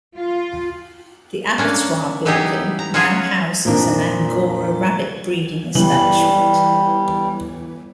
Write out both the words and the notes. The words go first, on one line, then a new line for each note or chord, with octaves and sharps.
The abattoir building now houses an angora rabbit breeding establishment.
F4
A#3 C#4 D4
E3 B3 D#4 E4 G4 G#4
A#5
C#4 F4 F#4 G#4 C#5
F2 A#2 A#3 D4
G1 E3 G3 F#7